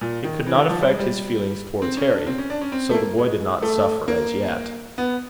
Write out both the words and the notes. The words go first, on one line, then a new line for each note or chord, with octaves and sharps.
It could not affect his feelings towards Harry; so the boy did not suffer as yet.
A#2
D#3
E3
D3
D#3
F3
G3
G#3
G3
C4
C#4
D4
C4
C#4
D4
C#4
C4
A3
A#3
G#3
A3
A#3
B3